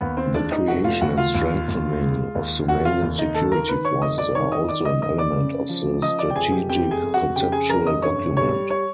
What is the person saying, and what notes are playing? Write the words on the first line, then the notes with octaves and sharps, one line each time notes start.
The creation and strengthening of Somalian security forces are also an element of the strategic conceptual document.
D#2 B3 B4
C4 C5
G#3 D4 D5
D#4 D#5
F1 F#4 F#5
F4 F5
D#2 F#4 F#5
F4 F5
D#2
D#2
G#3
D#2
F1 F#4 F#5
F4 F5
D#2
D#4 D#5
D#3 A4 A5
A#4 A#5
D#3 B4 B5
C#5 C#6
F1 D#5 D#6
D5 D6
D#3 C#5 C#6
D#5 D#6
D#3 D5 D6
D#5 D#6
F1 D#5 D#6
D5 D6
C#3
F3
F3 D#5 D#6
D5 D6
G5
F1 G#4 G#5
G4 G5
F2 G4 G5
G#4 G#5
F2
F#4 F#5
C#3 G4 G5
G#4 G#5
F1 A#4 A#5
D#5 D#6
G2 C#5 C#6
G3 C#5 C#6
C#5 C#6